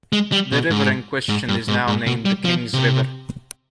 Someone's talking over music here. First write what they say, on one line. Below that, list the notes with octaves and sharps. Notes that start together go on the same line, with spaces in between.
The river in question is now named the "Kings River".
G#3
G3
B2
G#2
G#2
G2
G#2
G#2
B2
G3
F3
C3